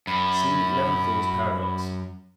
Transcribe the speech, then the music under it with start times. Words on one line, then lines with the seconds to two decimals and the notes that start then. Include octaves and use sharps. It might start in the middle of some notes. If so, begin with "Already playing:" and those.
See Levinthal's Paradox.
0.07 F#2 B5